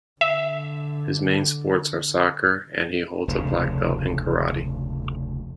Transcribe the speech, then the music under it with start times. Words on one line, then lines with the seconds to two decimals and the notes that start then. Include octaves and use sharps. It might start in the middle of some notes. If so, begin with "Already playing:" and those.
His main sports are soccer and he holds a black belt in karate.
0.21 D3 E5
3.28 F1 D2 C#3